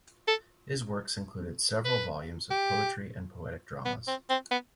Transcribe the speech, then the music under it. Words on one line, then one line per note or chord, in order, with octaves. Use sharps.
His works included several volumes of poetry and poetic dramas.
A4
B4
G4
B3
C4
C4
B3